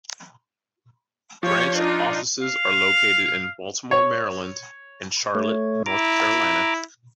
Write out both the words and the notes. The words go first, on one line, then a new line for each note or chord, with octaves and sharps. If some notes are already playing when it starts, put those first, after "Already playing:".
Branch offices are located in Baltimore, Maryland and Charlotte, North Carolina.
F3 G4 C#5
D4 D#4 F4
F5
C#5
A3 C#5
E4 A#5 D6